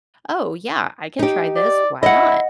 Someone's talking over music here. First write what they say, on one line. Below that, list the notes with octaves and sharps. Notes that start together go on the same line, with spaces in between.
"Oh, yeah, I can try this, why not?
D#4 G4
D5
E4 D#5 F#5